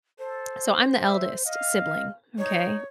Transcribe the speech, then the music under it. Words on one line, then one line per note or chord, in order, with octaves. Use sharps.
so I'm the eldest sibling, okay?
A4 C5
E5
D#5 F5
D#4 C#5